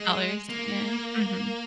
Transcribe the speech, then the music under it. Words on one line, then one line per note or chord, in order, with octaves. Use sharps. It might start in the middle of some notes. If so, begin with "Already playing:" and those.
dollars, yeah, mhm.
Already playing: G#3
A#3